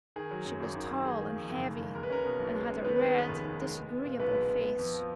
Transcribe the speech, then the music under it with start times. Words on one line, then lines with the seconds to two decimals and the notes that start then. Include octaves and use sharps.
She was tall and heavy and had a red, disagreeable face.
0.16 D#3 G#4
0.31 F#3
0.46 F#2
0.60 G#1
0.75 D#3
0.90 F#3
1.05 D#3 G#4
1.20 A#3
1.35 F2
1.50 F#1
1.64 D#3
1.80 A#3
1.95 G#3 A#4
2.03 B4
2.10 C#4 A#4
2.25 B2
2.40 B1
2.55 G#3
2.69 C#4
2.84 D#3 B3 B4
2.96 B3 B4
2.99 G#3 G#4
3.07 A#4
3.14 D#2 B3 B4
3.29 F1
3.44 D#3
3.59 G#3
3.74 G#3
3.89 B3
4.05 A#2
4.19 B1 B3 B4
4.34 G#3
4.49 B3
4.64 B3
4.78 F2
4.94 F3